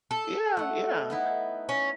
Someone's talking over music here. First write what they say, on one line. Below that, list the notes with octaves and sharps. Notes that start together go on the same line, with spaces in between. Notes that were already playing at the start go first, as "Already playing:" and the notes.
Yeah, yeah.
A4
A3 F#5
B3 D#4 E4
C#4